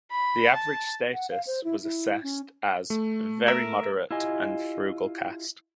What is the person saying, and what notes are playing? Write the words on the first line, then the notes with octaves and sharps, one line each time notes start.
The average status was assessed as "very moderate and frugal cast".
B5
A5
F#5
F5
C5
E4
E4
C#4
A3
A#4 E5
E4 F4 G4 D#5 G#5